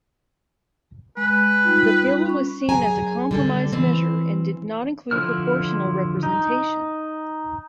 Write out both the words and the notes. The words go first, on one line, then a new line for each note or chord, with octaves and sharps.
The Bill was seen as a compromise measure, and did not include proportional representation.
G#3 B4
G3 D#4 F4
C#4 C#6
F#2 G#4 G#5 A#5
D3 G3 A4
E3 C4
D3 F3 E4 F6
D#4